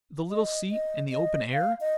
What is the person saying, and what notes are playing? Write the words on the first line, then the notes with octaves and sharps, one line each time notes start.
The little seat in the open air?
D#5
D#5
D#5
F5
D#5